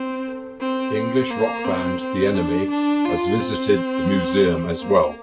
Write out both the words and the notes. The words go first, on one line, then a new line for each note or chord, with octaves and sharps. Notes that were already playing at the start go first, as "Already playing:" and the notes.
English rock band The Enemy has visited the museum as well.
Already playing: C4
C4
C4
A#3
C4
C4
D4
D4
F4
C4
A#3